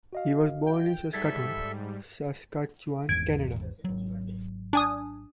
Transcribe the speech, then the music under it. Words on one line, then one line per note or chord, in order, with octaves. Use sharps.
He was born in Saskatoon, Saskatchewan, Canada.
F#4 D#5 F5
G5
G#2 G3 A4 E5 G#6 A6 B6
G#1 E2 G#2 G#6 D7
G#1 F#3
D4 G#5 D#6